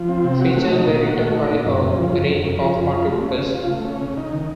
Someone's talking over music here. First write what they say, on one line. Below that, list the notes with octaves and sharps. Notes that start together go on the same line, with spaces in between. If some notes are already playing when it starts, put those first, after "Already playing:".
Features were written by a range of contributors.
Already playing: F3
C4
C3
F#4
A3
D#4
A#2
F#4
A3
D#4
A#2
F#2
C#3
F3
F#2
F#2
C#3
F3
F#2
F4
A3
C#4
C#3
F4
A3
C#4
C#3
D#4
D#3